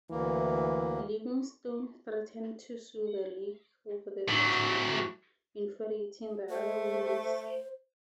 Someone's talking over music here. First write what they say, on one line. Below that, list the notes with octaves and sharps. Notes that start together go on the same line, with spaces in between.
Livingstone threatened to sue the league over the suspension, infuriating the other owners.
D2 E3 A#3
A2 F#3
A3 C5